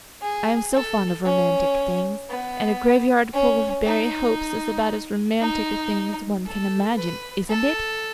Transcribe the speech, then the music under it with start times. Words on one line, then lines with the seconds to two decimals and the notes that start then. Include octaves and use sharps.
I am so fond of romantic things, and a graveyard full of buried hopes is about as romantic a thing as one can imagine isn't it?
0.22 G#4
0.74 A4
1.25 C#4
2.29 B3
3.33 C#4
3.85 D#4
5.41 D#4
6.46 A4
6.97 B4
7.49 A4